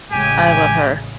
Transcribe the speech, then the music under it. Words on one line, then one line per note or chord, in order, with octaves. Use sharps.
I love her.
A1 C#3 G#3 G4 G#5